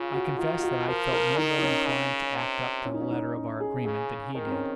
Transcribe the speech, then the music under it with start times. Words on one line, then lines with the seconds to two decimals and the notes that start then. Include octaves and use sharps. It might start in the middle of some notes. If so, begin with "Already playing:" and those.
I confess that I felt no more inclined to act up to the letter of our agreement than he did.
Already playing: C#3 F4
0.14 F#4
0.38 D#3 F4
0.58 F4
0.63 F#4
0.88 F3 A#4
1.13 A#4
1.37 D#3 D#4
1.58 D#4
1.63 C#4
1.86 C#3
2.36 C3
2.85 C#4
2.94 D#4
3.01 C#4
3.11 D#4
3.35 C#4
3.60 G#4
3.85 C#3 G#4
4.35 D#3 A#4
4.45 C4
4.51 C#4